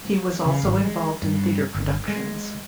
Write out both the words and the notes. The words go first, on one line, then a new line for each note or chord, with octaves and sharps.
He was also involved in theater productions.
C#3
G#1
G#3
G2
G1
G#3